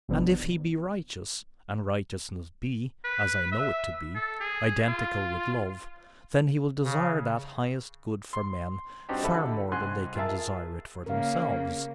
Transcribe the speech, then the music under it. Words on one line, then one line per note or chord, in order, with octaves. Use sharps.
'And if He be righteous, and righteousness be--as I know it to be--identical with love, then He will desire that highest good for men far more than they can desire it for themselves....
G1 B2 E3 B3 D4
B4
E5
A4
G#4
F4
C#3
C6
G2 C4 D4 D#4 F#4 G4
D3 E4 A4 B5
C2 G#2 G#5 C6 F#6
F4 G#4 A#4 E5 A5
C#3 A#3 A#4 F5